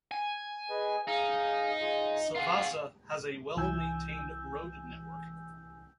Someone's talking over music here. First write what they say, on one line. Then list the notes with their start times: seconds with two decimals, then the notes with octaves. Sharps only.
Silvassa has a well-maintained road network.
0.11 G#5
0.70 G#4 B4 D#5
1.07 D#4 G#4 F5
1.81 F4 G#4
2.36 F4 G#4 F#5
3.56 C2 E3 G#5 E6 G6